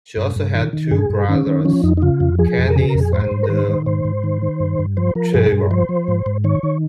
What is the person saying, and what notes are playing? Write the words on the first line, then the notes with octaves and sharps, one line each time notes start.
She also had two brothers, Kenneth and Trevor.
G2
G2
D#3
D#3
G2 G#4
G2
D#3 C#4
D#3
F3 C#4
F2 D#4
D#4
C#3 F4
F2
F3 G#4
F2
A#4
C#3 G#4
A#4
F2
G#4
G#2 C5
G#2
A#4
D#3 C5
D#3
G#2 C5
G#2
D#3
D#3
G2
G2
F3 C5
F3 A#4
G2 G#4
G2
F3 C5
F3
G#2
G#2
D#3 C#5
D#3